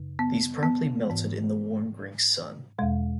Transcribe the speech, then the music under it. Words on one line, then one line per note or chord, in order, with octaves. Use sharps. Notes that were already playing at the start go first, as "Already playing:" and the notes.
These promptly melted in the warm Greek sun.
Already playing: F#2 C#3
B3
B3
G#2 E3
E2 B2 G#3